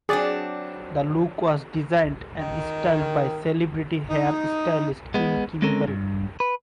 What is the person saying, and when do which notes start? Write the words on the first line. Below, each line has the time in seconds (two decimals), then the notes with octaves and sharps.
The look was designed and styled by celebrity hairstylist Kim Kimble.
0.09 F#3 C4 D4 G#4 D5
2.38 D#3
4.09 D#4
5.14 G#3 B3
5.62 G#3 C4 C#4 A4 A#4
5.87 G2
6.40 B4